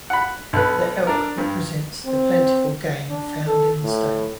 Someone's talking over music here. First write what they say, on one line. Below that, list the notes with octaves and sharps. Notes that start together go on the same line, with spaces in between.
The elk represents the plentiful game found in the state.
F#5 B5
B1 B4
D4 A#4
G2
C4
D4
A4
A2